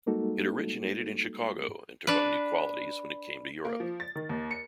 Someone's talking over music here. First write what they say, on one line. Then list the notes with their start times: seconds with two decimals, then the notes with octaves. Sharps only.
It originated in Chicago and took on new qualities when it came to Europe.
0.06 G3 G#3 A#3 D#4 F#4 A4
2.07 D4 B4
3.65 A#3
3.80 F3
4.00 A6
4.15 D#3
4.29 D#2
4.51 C#7